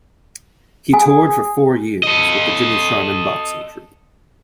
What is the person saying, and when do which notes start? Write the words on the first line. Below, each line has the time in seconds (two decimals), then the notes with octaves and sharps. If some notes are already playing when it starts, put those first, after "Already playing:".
He toured for four years with the Jimmy Sharman Boxing Troupe.
0.93 G#4 G#5
2.03 A4 D#5